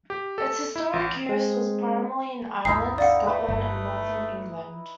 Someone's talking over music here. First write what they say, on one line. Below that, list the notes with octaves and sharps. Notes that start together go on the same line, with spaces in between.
Its historic use was primarily in Ireland, Scotland and Northern England.
G4
A4
E4
A1
G#3 C4
G1 D2 D#4 E4 C7
D3 D5 F5 F#5
A3 B4
G1